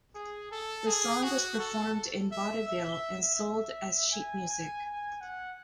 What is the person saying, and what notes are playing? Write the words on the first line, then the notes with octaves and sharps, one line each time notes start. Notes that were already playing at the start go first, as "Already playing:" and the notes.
The song was performed in vaudeville and sold as sheet music.
G#4
A4
G#4
F#4
A4
E5
E5
E5
G#5
G#5
G#5
F#5